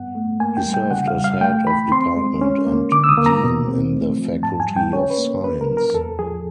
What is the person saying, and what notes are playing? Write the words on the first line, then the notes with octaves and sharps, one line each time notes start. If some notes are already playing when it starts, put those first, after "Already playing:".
He served as Head of Department and Dean in the Faculty of Science.
Already playing: G2 B3 F#5
A3
A#3 G#5
G5
G3
G5
C#3 F#5
F5
G3
F5
A3 G5
E3 B5
C4 C6
G#3
C#4
A#3
D3 D6
E6
D#6
A#3
A#5
B2
C4
A3
F3
G#2 A5
G#5
G3
G5
C#4 C#5
B4
A#3
A#3 B4
A#4
F#3
A#4
E2 A4
F3 G#4